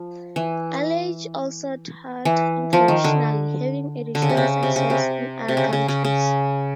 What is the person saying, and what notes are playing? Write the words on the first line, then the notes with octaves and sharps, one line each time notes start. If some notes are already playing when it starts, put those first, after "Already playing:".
Alliage also toured internationally, having additional success in other countries.
Already playing: F3
E3
E3
F3
D#3
D3
D3
C#3
C3
C#3
C3
C#3
C3
C3
C#3
C#3
C#3
C#3